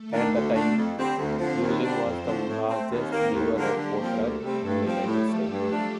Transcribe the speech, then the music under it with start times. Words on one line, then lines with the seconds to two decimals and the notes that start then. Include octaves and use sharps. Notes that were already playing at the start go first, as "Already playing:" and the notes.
At the time, Yuengling was the largest brewer of porter in the United States.
Already playing: A3 A4
0.10 D#3 A#3 D4
0.32 D2
0.53 D3 A3 D4
0.76 F2
0.96 D3 G3 C4
1.18 D2 C4 C5
1.39 D3 F3
1.61 D#2 C4 C5
1.83 D3 G3 D4
2.04 F2
2.25 D3 F3 A3
2.47 A2
2.68 A3 C4
2.90 D#2 C4 C5
3.12 D#3 A#3
3.33 D#2 G3 G4
3.55 D3 F3 A#3
3.76 D3 A#3 A#4
3.99 F3 C4
4.19 D2 A3 A4
4.40 C3 G3 C4
4.62 G2 G3 G4
4.84 F3 C4
5.06 A2
5.27 F3 A3
5.49 G2
5.70 F3 A3 D4